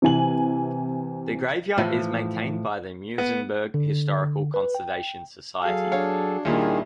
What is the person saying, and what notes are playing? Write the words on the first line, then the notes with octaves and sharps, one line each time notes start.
The graveyard is maintained by the Muizenberg Historical Conservation Society.
C3 E3 G#5 F#7
A2 E3 F3
B3
D3
B4
G5
F#3 G#4 A4 F5
D4 C#5 F5
D#2 A#2 D#3 G3 D4 E4 G#4